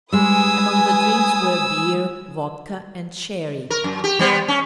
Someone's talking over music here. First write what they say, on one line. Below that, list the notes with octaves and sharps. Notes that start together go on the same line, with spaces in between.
Among the drinks were beer, vodka and sherry.
G3 G#3 B4 G#5 D#6 E6
A#4
F#2
G4
G3 B3 C5
C#4